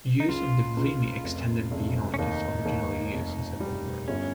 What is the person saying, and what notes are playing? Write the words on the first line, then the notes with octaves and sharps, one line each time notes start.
Use of the Vimy extended beyond its original use as a bomber.
D#4
C#2 F4
C#2
F1
F1
C#4
D#2 D#4
D#2
F1
G3
G1 C#4